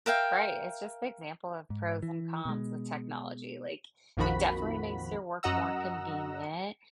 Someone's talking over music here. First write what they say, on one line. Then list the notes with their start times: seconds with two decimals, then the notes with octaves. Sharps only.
Right, it's just the example of pros and cons with technology, like, it definitely makes your work more convenient
0.06 A#4 E5 F5 G5
1.70 G#2
2.03 E3
2.45 B2 G#3
4.17 A#1 F2 D#3 F3 F#4 B5
5.43 F#2 F#4 D#5 F#5 A#5 E6